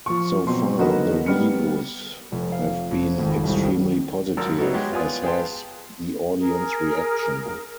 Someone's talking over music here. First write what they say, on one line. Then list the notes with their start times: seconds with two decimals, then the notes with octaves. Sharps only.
So far the reviews have been extremely positive, as has the audience reaction.
0.06 F3 C#6
0.47 B2 F#3 C4 C6
0.78 D3 F#3 A#3 D#4 F#4 B4
1.26 G3 B3 F6 C#7
2.32 F1
2.52 F5
2.91 F2
3.19 G#1
3.44 C2
4.37 G#1 F#2 F4 A#4 E6
4.58 F#3 G3 B3 D#4 E4 F#4
4.74 F#3 G#3 F#4 G4
4.91 B3 F4 D5 G#5 D#6
5.24 G#4 B4 F5 G5 A5 C6
6.38 G#4 A#4